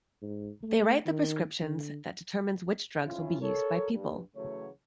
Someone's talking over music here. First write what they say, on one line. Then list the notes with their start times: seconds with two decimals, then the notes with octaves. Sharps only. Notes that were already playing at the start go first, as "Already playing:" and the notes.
They write the prescriptions that determine which drugs will be used by people.
0.22 G#2
0.63 A3
1.06 D#3
1.60 D3
3.05 F2 C#4 E4 F4
3.41 A4 A#4 C#5
3.91 G2
4.36 C#3 E3 F#3 A3 F#4 C#5